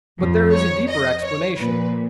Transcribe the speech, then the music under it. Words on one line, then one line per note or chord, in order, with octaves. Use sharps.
But there is a deeper explanation.
F2 F3
C#5
D#5
C#5
A#2 F3 B4